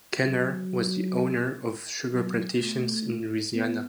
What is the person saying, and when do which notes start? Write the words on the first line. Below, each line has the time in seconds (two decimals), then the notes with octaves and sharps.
Kenner was the owner of sugar plantations in Louisiana.
0.26 F#3
2.13 F#3
2.60 A3
3.54 B3